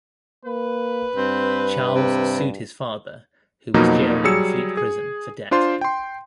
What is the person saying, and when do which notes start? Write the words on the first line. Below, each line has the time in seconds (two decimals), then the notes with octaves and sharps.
Charles sued his father, who was jailed in Fleet Prison for debt.
0.45 A#3 B4
1.15 G2 C4
1.93 C3
3.74 F2 B2 F3 F#3 A#3 D#4
4.24 F#3 G3 G#4 E6 C#7
4.77 G#4
5.51 D4 F4 C5 C6
5.81 G5 C6